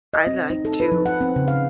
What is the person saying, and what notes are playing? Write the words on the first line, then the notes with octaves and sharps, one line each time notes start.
I I like to,
D#5
C4
D#4
A4
B4
F3
F#5
C4
C#3
F5